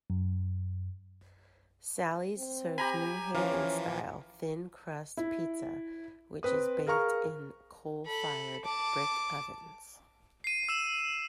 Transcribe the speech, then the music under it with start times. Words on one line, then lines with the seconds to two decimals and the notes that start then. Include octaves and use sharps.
Sally's serves New Haven-style thin-crust apizza, which is baked in coal-fired brick ovens.
0.10 F#2
2.38 C4
2.78 G4 G#5 A#5 B5
3.35 E3 F3 A#3 C#4
5.17 E4
6.43 C4 B4 D#6
6.87 G#4 A#4 F5 A#5 C#6 F6
8.06 A4 B5
8.65 A5 D6
10.44 C7 D#7
10.69 E6 E7